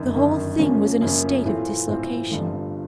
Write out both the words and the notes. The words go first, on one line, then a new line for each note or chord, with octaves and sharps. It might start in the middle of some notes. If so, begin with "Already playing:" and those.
The whole thing was in a state of dislocation.
Already playing: G1 F#2 D#3
G1 F#2 D#3
F#2 C#3 F3 A#3 C#4
F#2 C#3 F3 A#3 C#4
A2 E3 A3 C4 F4
A2 E3 A3 C4 F4
G1 G2 D3 F3 A3